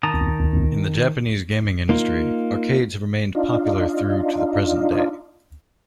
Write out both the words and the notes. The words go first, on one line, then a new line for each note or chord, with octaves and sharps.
In the Japanese gaming industry, arcades have remained popular through to the present day.
D#3 A5 A#5 D#6
A#3 D#4 F4
D4 D#4 F4